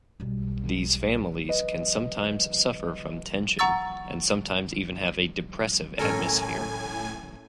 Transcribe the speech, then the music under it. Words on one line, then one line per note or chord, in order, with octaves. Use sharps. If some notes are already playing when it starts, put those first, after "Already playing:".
These families can sometimes suffer from tension and sometimes even have a depressive atmosphere.
B1 G3
B4 D#5
F#5 A#5 C#6 E6 A6
A2 C#4 A4 A#4 G#5